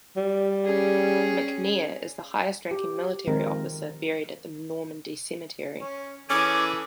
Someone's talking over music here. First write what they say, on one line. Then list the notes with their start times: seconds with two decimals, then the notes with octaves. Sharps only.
McNair is the highest-ranking military officer buried at the Normandy cemetery.
0.17 G3
0.65 C#4 G#4
2.71 G4
3.27 D#3 F3 G#3 C4 A#4
5.81 C#4
6.30 E3 C#4 G#4 A4 D6